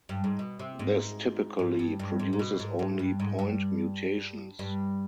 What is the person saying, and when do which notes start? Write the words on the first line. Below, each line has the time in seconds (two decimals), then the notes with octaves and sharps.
This typically produces only point mutations.
0.09 G2
0.24 G#2
0.39 B2
0.59 C3
0.79 G#2
1.59 G#2
1.79 G2
1.99 G2
2.20 G#2
2.33 G#2
2.39 B2
2.59 G#2
2.79 G#2
2.99 G2
3.20 G#2
3.39 G2
4.59 G2